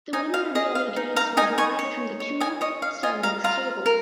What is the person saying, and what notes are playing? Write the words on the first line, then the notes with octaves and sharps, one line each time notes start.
The winner of the other games were derived from the two standings table.
D#4 D#5 G#5
F5
G#4 D#5
F5
D#4
F5 A#5
D#4 D#5 G#5
G#5 C#6
C#5
C#5
D#5 G#5
C#5 D#5
F5
F4 D#5 G#5
F5 A#5
F4 F5 A#5
A#4